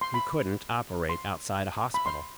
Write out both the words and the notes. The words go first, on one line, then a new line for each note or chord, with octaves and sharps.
He couldn't operate outside a hospital.
C6
B5
C6
B5
C6